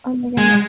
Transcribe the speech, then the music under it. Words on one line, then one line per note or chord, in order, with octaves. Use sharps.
Oh my goodness.
G#3